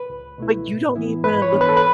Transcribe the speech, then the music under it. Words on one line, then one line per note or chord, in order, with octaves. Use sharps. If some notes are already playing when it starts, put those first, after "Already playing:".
But you don't even look at
Already playing: B4
C#2
B2 A3 E4
A2
E3 B3 E4
G#2 B4
C#5
E3 B3 D4
B4
A4
B4